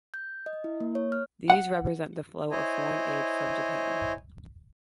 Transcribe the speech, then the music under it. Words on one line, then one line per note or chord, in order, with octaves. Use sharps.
These represent the flow of foreign aid from Japan.
G6
D#5
E4
A#3
C#5
F6
F#5
E4 C5 C#5 D#5 G#5